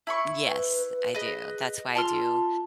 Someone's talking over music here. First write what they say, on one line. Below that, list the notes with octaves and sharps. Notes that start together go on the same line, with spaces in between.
Yes. I do. That's why I do,
E4 B5 C#6
B4
B4
G#4 B4 D#5
F4 A5 C6 F6